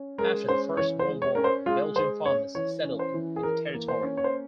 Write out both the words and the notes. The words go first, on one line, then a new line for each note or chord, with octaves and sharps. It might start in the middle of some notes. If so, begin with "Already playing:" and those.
After the First World War Belgian farmers settled in the territory.
Already playing: C#4
G#3 A#4
C#4 C5
E3 C#5
C5
G#3
C#5
C#4 A#4
C5
G#3 F4
G#3 C5
C#4 C#5
E3 C#5
C#4
C5
E3
G#4
E3 A#4
A#3
C5
C#4
C#5
C5